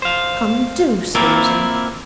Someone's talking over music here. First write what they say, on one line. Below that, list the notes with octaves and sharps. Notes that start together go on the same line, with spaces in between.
Come, do, Susan.
C5 F5
A#3 C4 E4 F4 A#4